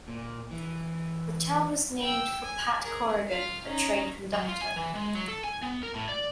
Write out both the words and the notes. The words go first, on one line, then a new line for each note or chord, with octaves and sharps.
The town was named for Pat Corrigan, a train conductor.
A#2
E3
G5 E6
G#5
G#4 A#4
F4 F5
C#4 D#4
F#3
F4
G#5
E3
G#3
F#3
A4
G#5
B3
A#4
A2
D5